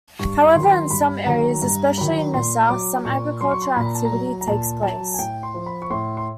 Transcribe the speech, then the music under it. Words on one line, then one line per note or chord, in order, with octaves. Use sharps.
However in some areas, especially in the south, some agricultural activity takes place.
G2 C#6
D#3 F#3 B5 C6
C6
G2 B5
D#3 F#3 A#5
G2 A#5
D#3 F#3 B5
A#2 C6
F#3 D6
A#2 C#6
F#3 C6
C#6
C6
A#2 B5
A#5
A5
A#5
F#3
A#5
A#2 A5
F#3 A5
G#5
A2 G5
C6
F3
B5
C#6
A2 C6
C6